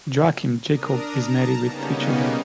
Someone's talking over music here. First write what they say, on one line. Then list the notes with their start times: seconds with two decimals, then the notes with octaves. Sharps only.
Joachim Jacob is married with three children.
0.71 D4 A#4 A#5 D#6
1.18 A5 A#5
1.58 C#3 G3 A#3 B3 C#4 D#4